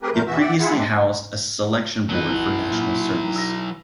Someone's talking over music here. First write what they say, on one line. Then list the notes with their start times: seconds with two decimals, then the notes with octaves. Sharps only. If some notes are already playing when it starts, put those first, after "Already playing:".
It previously housed a selection board for National Service.
0.02 A3 C4 G4 G#4 A#4 B4
0.14 G2 A#2 F3 A3 A#4 G6
0.27 E2 B2 E3 F#4 E5
0.40 D5 E5 F#5 G5
0.60 E4 F4 G#4 E5 F#5
0.74 G#3 A3 C4 D4
2.09 F2 D#3 F#3 C#4 F4 B4
2.28 B1 E3 E4 F#4
2.70 A#2 F6
3.36 E6 A#6